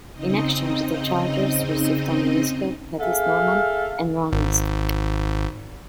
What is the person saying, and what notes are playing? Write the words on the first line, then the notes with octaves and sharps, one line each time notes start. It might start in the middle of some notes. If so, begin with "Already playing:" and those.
In exchange, the Chargers received Tony Liscio, Pettis Norman, and Ron East.
C#3 C4 D#4 D#5
G#4 A4 E5 F5
G#1